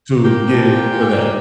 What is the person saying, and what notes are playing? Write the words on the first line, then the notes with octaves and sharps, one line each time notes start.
to get it to that,
A#3 G4
F3
A#2
A#2
A#3